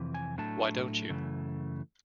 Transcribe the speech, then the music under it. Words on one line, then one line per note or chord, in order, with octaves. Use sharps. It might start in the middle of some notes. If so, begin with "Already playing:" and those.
Why don't you?
Already playing: F2 C3 E3
G#5
A2 F#3 A3 D4 A5
F#2 C#3 E3 A3